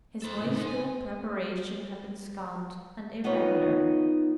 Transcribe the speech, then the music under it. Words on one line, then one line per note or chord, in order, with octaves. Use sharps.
His high school preparation had been scant and irregular.
A4 C5
A2 C#3
D#4 C5
G#5
B3 D#4 F4 B4 C#5